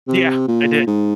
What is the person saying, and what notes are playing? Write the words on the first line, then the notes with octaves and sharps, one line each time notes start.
Yeah. I did.
C3
A#2
G#2